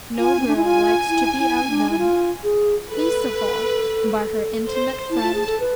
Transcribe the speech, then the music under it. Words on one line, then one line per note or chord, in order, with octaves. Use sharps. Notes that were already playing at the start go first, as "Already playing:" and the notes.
No girl likes to be outdone, least of all by her intimate friend.
F4 G#5
C4
D4
E4
F4 G#5
E4
E4
C4
D4
E4
F4
G#4
A4 B4
C5
E4 A5
F4
G#4
A4
B4